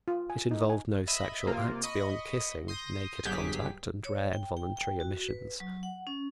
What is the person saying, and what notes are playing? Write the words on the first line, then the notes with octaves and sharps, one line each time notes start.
It involved no sexual acts beyond kissing, naked contact, and rare involuntary emissions.
F4
G#5
D#4
G#5
D#5 E5 B5
C3 A#3 F4
D#5 B5 C#6
C6 D#6 G6 A#6
G1 G2 F#3 G4 G#4 B6
C#5
G5
G5
G5
F#4
B4
F#3
F#5
C#4